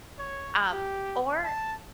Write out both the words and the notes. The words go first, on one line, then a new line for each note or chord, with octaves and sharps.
Um, or
C#5
G4
A5